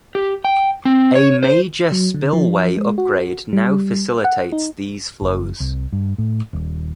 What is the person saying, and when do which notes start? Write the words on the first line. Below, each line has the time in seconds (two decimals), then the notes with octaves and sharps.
A major spillway upgrade now facilitates these flows.
0.15 G4
0.45 G5
0.85 C4
1.15 C#5
1.43 C5
1.92 F#3
2.14 D3
2.33 F3
2.77 G#3
2.98 F#4
3.53 G3
4.24 F#5
4.52 D#4
5.22 F#1
5.60 C2
5.93 G2
6.18 A2
6.53 D#1